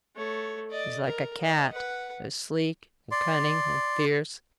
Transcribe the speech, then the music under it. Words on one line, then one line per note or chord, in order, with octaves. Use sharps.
He's like a cat,--as sleek, and cunning, and fierce.
A3 C#5
D5 D#5
A#4
D#5
B4 F#5
D5 C6